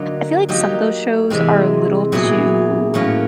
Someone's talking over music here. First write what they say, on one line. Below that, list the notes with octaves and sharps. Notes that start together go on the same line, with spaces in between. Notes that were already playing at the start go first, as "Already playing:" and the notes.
I feel like some of those shows are a little too
Already playing: D3 F#3 A#3 D#4
F#3 A#3 D#4 G4
C3 E3 G#3 C4
A#2 F#3 B3 E4 G#4
A2 F#3 A#3 C#4